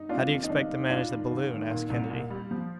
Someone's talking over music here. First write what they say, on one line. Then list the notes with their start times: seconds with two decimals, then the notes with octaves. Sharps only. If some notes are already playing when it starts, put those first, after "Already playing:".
"How do you expect to manage the balloon?" asked Kennedy.
Already playing: G2 D#4
0.09 C4 D4 F4
0.30 D#2
0.44 D#4
0.49 D#2 D4
0.69 D#3
0.90 G2 D4 F4
1.10 D#3
1.30 G1
1.51 D#3
1.70 A#2
1.90 C2
2.11 A#2
2.30 G3
2.51 F3